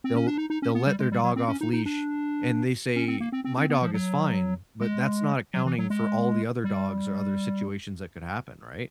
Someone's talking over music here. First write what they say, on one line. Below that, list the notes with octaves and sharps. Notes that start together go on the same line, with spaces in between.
they'll they'll let their dog off leash, and they say, "My dog is fine," but that's not accounting for all the other dogs, or other situations that could happen, right?
C4
C#4
D4
D#4
D#4
C#4
B3
G3
G#3
G3
F#3
C4
C#4
D#4
D#4
D4
C#4
C4
A#3
C4
C4
C4
B3
F3
F#3
G#3
F#3
E3
F#3
G#3
G3